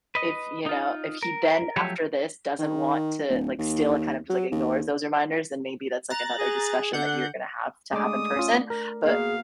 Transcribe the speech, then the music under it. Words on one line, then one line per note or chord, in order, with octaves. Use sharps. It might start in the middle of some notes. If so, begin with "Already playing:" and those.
if, you know, if he then, after this, doesn't want to like, still, kind of, just, like, ignores those reminders, then maybe that's another discussion that you're gonna have to have in person. But,
B4 D#5
D#4 F4
A#4
F3 F#3 A3 C#4 G4 C#5
D#3
D1
D#2
F#3
D#2
A#5 F#6 A6
G#4
D3 F#5 G6
G#3 A3 D4 D5 D#6
C#4 F4
A#4
B2 A#3 F#4 G#4 F5